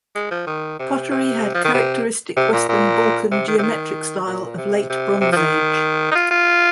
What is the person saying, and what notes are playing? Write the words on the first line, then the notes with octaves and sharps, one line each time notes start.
Pottery had characteristic Western Balkan geometric style of late Bronze Age.
G#3
F3
D#3
C3
C3
F3
D#3
C3
C3
A#2
A#2
C3
D#3
C3
D#3
A#2
C3
C3
C3
F3
D#3
D#4
F4
F4